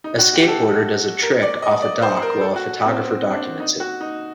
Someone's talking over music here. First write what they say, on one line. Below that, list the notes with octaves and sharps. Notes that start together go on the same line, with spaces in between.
A skateboarder does a trick off a dock while a photographer documents it.
D#4
F#4
G4
A4
A#4
D5
D#5
D5
C5
A#4
A4
F#4
C4
C4
D4
D#4
F#4
D#4